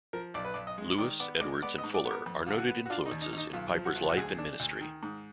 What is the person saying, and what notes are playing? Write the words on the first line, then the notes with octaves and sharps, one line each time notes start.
Lewis, Edwards and Fuller are noted influences in Piper's life and ministry.
F3 A#4
B1 D5
B4
B1 D5
D#5
G#3
D#3 D5
B3 D5
G#3 D5
B3 D5
D#5
G#2
D5
B3
A#4
F2
D3 F4
F#4
B3
F#4
D4 F4
D#4
D#2
D#4
D#2 D#4
B1 F4
F3
F#4
B1
F#4
D2 G#4
D4
D2
D#3
G#2